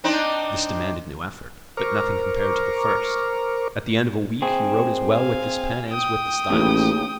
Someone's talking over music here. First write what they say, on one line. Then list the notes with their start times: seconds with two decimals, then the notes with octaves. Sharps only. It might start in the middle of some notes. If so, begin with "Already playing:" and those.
This demanded new effort, but nothing compared to the first; at the end of a week he wrote as well with this pen as with the stylus.
0.04 C4 D4 D#4
1.77 A#4 C5 A#5 C#6 D6 F6
4.42 C4 G#4
5.12 F5 G#5
5.89 G5 D#6
6.50 A1 D#2 C#3